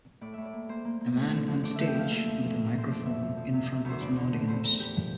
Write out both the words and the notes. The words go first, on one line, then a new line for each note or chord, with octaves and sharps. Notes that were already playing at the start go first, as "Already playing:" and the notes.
A man on stage with a microphone in front of an audience.
A2 D5
A2 E5
D5
A#3
A#3 C5
A#3
A#3
A3
D3
F3
A3 D5
A3 E5
G5
F3 F5
A#3 E5
F2
F2
F2
A#4
A#3 C5
F2 D5
D2 E5
F3
F3
C3
C3
D2 C5
E2 D5
D3
A3
E2 C5
E2 A#4
E2 G4
F3